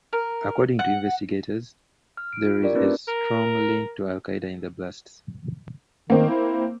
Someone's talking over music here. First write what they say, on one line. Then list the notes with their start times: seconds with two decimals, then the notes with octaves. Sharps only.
According to investigators, there is no strong link to Al Qaeda in the blasts.
0.13 A#4
0.79 F#5
2.17 F6
2.33 D7
2.46 F4
2.62 F4 G4 A#4 D5
2.75 A#3 C#4 D#4 E4 B4
3.08 A#4
6.10 D#3 A#3 C4
6.29 E4